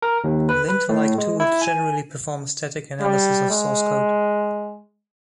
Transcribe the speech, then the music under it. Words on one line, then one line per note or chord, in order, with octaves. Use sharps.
Lint-like tools generally perform static analysis of source code.
A#4
D#2
B4
B4
A2
G#3
E4
G#5
G3
G#3